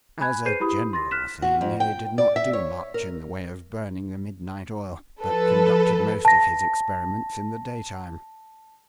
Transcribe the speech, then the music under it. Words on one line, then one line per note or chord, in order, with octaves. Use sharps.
As a general thing, he did not do much in the way of burning the midnight oil, but conducted most of his experiments in the daytime.
G#5 B5 F#6 G#6
G#4 B4 C5 G6 C7 D#7
E4 G4 B5 D#6
C6 A6 A#6
F6 F#6 B6 E7
F#4
F2
G5
D5
E5
C#5
A#4
F3 A4 B4
A5 A#6